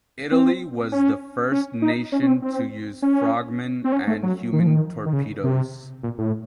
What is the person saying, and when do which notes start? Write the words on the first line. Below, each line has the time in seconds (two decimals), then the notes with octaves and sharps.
Italy was the first nation to use frogmen and human torpedoes.
0.32 C4
0.92 C#4
1.52 C#4
1.82 D#4
2.12 C#4
2.22 C#4
2.27 C4
2.42 C4
3.02 C#4
3.84 C4
3.92 C#4
4.07 A3
4.23 F#3
4.53 D#3
4.60 F3
4.67 D#3
5.06 D#3
5.13 C#3
5.44 C3
6.03 A#2
6.18 A2